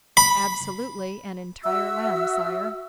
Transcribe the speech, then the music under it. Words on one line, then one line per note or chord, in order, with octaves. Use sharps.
"Absolutely an entire lamb, sire."
B5
F#4 E5 E6